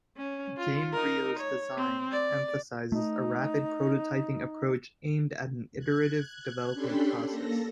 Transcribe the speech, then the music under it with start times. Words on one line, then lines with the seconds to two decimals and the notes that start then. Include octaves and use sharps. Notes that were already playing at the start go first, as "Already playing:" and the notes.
Gamebryo's design emphasises a rapid prototyping approach aimed at an iterative development process.
0.17 C#4
0.57 F4
0.93 D#4 A#4
1.40 C#5
1.77 C4
2.12 D5
2.92 A3 D#4
5.78 F#6 G#6
6.74 C#4 D4 G4 A4 B5 C6
7.29 A#3 A4 A#6